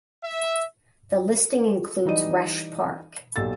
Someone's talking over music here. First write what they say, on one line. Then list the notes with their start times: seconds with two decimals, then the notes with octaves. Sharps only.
The listing includes Resch Park.
0.23 E5
2.05 E3 G3 D#4 D5 D#5 D#7
3.36 B1 A#2 G4 A4 E6 A6